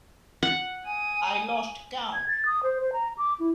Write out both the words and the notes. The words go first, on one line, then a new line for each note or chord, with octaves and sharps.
I lost count.
F#5
G#5 D#6
G#6
A6
D#6
C5
C5
A#5
D6
E4